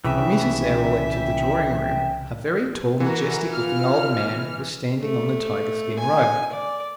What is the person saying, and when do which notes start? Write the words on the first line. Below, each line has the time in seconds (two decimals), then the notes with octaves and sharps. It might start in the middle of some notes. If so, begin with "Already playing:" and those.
When Mrs. Errol entered the drawing-room, a very tall, majestic-looking old man was standing on the tiger-skin rug.
0.04 C2 C#3 E3 E5 G5
3.00 E3 F#4 A#4
3.53 F4 F6
5.02 A3
5.98 G#5
6.52 D5